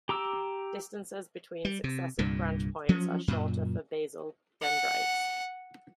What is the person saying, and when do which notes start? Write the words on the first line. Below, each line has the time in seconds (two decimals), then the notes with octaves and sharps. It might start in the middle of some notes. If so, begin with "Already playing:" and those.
Distances between successive branch points are shorter for basal dendrites.
0.09 G4 A#5 D6 E6
1.65 G3
1.84 C3
2.19 C2 G2 A#2
2.89 F3 F#3 C#4
3.28 F#2 A#2
4.62 F#5